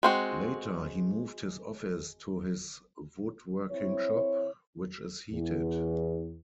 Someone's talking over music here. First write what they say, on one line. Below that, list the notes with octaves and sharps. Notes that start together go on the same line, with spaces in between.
Later, he moved his office to his woodworking shop, which is heated.
G#3 C4 F#4
C4 E4 C#5
E2